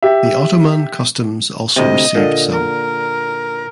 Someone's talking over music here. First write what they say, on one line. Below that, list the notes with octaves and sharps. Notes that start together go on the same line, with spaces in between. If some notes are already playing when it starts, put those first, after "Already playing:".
The Ottoman customs also received some.
G4 E5
D2 C3 D#5
A#2 D3
A#4